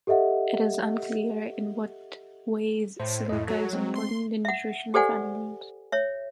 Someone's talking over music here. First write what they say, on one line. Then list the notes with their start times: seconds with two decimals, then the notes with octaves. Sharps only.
It is unclear in what ways silica is important in the nutrition of animals.
0.07 G4 A4 D#5 E5 F#5
3.00 A2 C5
3.29 F2 A2 E4 D#5
3.48 F#3 F#4 A4
3.73 G#3 C4
3.95 C6
4.45 E5 F#5
4.94 G4 A4 C5 D5 F#5 G#5
5.92 C#5 E5